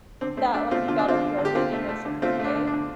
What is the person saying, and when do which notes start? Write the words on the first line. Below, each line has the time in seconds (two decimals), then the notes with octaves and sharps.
that, like, got eroded in a certain way.
0.21 D3 C4
0.37 A3 C4
0.54 A3 D4
0.71 A3 C4 F4
0.88 D3 F4
0.99 D4
1.05 D3 C4 F4
1.21 D3
1.38 D3
1.45 G4
1.55 D3 C4 F4
1.73 A3
1.89 A3
2.05 D3
2.22 A3 C4 F4
2.39 A3 D4
2.56 D3
2.67 D4
2.73 D3